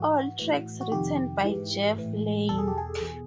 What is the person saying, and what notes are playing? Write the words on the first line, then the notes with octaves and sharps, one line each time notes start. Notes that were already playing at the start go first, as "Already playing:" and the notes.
All tracks written by Jeff Lynne.
Already playing: G#2 E3 F#4
A2 E3
F#4
F2 C3 D#3 G4
G#2 E3
A2 E3
E2 B2 A4
G#4
G4
G#4
E2 B2